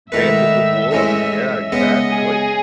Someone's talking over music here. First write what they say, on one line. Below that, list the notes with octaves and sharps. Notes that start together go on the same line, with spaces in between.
Dances with Wolves, yeah, exactly.
G#2 D#3 A3 E4 B4 E5
A2 E3 G#3 C#4
C#3 G#3 B3 D#5
G#4